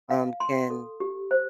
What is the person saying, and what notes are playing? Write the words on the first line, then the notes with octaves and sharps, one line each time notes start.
um, can
F5
C6
A4
G4
C5